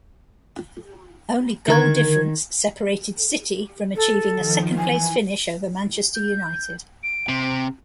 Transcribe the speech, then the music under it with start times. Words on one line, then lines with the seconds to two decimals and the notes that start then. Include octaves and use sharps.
Only goal difference separated City from achieving a second-place finish over Manchester United.
1.68 D3 D#3 A#4 G#6
3.96 A4
4.35 D#3 F3
4.77 E3 G#5
6.15 G6
7.03 D7
7.29 C3